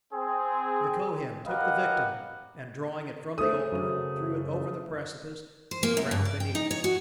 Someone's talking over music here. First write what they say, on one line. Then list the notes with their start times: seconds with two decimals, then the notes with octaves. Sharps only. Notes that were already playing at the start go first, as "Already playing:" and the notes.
The Kohen took the victim, and drawing it from the altar, threw it over the precipice to the ground beneath.
0.13 C4 G#4
1.46 G4 A#4 B4 D#5 F5 F#5
3.38 A3 A4 C5 D#6
3.72 F#2 C#3
5.71 C5
5.83 A#3
5.97 F#2
6.11 G2
6.25 D5
6.40 G5
6.55 D#4
6.71 C#5
6.84 F#4